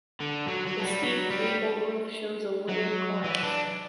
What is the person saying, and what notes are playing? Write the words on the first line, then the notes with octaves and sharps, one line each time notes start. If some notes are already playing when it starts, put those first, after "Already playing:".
The steep gable roof shows a wooden cornice.
D3
F#3
F#3
A3
G3
F#3
G3
F#3
E3
D4